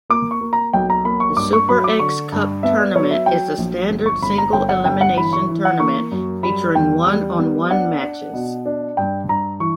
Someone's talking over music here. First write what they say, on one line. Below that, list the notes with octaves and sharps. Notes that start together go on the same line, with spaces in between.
The Super X Cup tournament is a standard single-elimination tournament featuring one-on-one matches.
A#3 D6
C#6
A#3
A#5
B1 G5
A#5
A#3 B5
C#6
G2 D6
C#6
F#3 B5
D6
D3 C#6
G2
B3 E5
D5
F#3 C#5
E5
F#3 G5
A#1
G1
C#6
G1 B5
A#5
G1 G5
F#5
G1 G5
F#5
E3 B5
C#6
E3
F#5
A#3 C#6
F#2
G3 B5
E2 G5
G3
B3
D4 F#5
D4
B2
D4
G2 G5
G2 A#5
E3 C#6